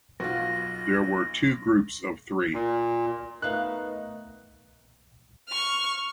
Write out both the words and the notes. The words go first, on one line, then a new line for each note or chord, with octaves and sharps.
There were two groups of three.
B1 F4 F#4 A#6
A#2
A3 B3 D#4 A#4 B4 F5 F#6
C#6 F6